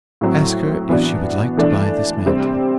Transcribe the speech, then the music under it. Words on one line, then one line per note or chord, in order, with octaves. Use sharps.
'Ask her if she would like to buy this mantle.'
A2 F#3 C4
E3 B3 D4 F#4
E3 A3 D4
C3 G3 C4 G4